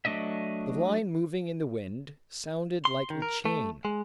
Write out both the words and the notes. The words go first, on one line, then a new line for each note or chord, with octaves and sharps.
The line moving in the wind sounded like a chain.
F#3 A3 D4 D#5 E5
C6
D#3
A#4
A3
G#3